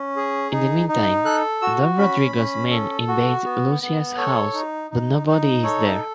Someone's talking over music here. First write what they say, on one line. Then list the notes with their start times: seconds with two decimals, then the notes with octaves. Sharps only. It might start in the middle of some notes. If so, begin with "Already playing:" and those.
In the meantime, Don Rodrigo's men invade Lucia's house, but nobody is there.
Already playing: C#4
0.16 G#4
0.52 D#4
0.88 D#4
1.25 A4 F#6
1.61 F#4 E6
1.98 C#4 B5
2.35 C#4
2.71 A4
3.08 F#4
3.44 B3
3.82 B3
4.17 A4 C#5
4.54 D#4
4.91 D#4
5.27 D#4
5.63 A4 C#5